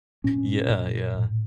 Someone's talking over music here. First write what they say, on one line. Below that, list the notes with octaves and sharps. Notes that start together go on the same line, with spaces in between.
Yeah, yeah.
A#2 C#4
A#2
A2